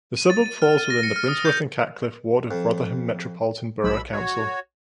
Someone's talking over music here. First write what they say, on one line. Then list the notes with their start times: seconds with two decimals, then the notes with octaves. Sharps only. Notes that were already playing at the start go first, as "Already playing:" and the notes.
The suburb falls within the Brinsworth and Catcliffe ward of Rotherham Metropolitan Borough Council.
0.17 D#7
0.30 A6
0.46 D#7
0.62 F6
0.78 D#7
0.90 A#6
1.03 C#7
1.16 F6
1.28 D#6
1.45 G6
2.51 F2
3.84 B1 B2 B5 E6
4.12 F#4 C#5